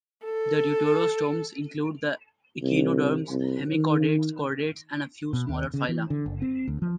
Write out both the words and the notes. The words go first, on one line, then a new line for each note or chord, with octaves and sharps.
The deuterostomes include the echinoderms, hemichordates, chordates, and a few smaller phyla.
A4
C2
C2
D#3
B2
D#2
C#3
E3
D3
F#1
C4
D2
F3